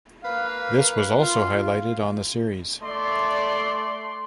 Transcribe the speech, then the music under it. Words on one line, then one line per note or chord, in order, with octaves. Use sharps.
This was also highlighted on the series.
A#3 B4 F5
F4
A3 D5 C6